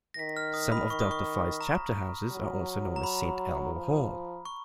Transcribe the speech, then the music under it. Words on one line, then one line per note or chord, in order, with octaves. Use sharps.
Some of Delta Phi's chapter houses are also known as "Saint Elmo Hall".
A#6
D#3 B6
F6
D#6
B5
D#3 C#6
D#6
C#6
A#5
F#3
A#5
B5
F3
C#6